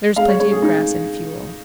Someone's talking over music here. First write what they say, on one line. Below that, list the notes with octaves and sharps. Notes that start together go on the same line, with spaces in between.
There is plenty of grass and fuel.
G#3 F5
C#5
G#3 C#5
G#4
G#3 D#4